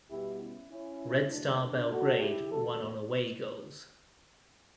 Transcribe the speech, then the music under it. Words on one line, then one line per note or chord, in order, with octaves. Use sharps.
Red Star Belgrade won on away goals.
B2 G3 B3 E4 G4
C#4 E4
C#4 E4
E2 B2 F#3 A3 D4
F#4 A4
E4 G4
E2 D3 A3 F#4 A4